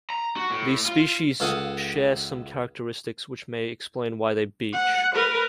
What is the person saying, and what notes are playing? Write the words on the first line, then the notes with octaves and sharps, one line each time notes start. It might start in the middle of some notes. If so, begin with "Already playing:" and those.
These species share some characteristics which may explain why they beach.
A#5
F#4
A2
F4
C#2 A4 F5 F#5 D#6
F#5
A#4 B4